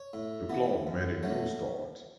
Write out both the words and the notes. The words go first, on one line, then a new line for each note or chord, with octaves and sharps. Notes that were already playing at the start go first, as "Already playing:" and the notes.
The club made a new start.
Already playing: C#5
A2
E3 B3
F#2
F#3 A3 C#4